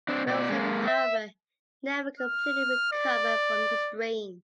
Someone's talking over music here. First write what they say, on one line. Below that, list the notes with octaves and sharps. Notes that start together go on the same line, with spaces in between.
Wilson, however never completely recovered from the strain.
C4 D4
B2 D5
G#3 A#3
E5
F6
D5